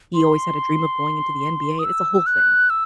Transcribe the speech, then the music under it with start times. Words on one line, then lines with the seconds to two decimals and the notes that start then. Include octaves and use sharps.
he always had a dream of going into the NBA it's a whole thing.
0.14 C6
1.79 D#6
1.84 E6
2.26 F#6
2.70 E6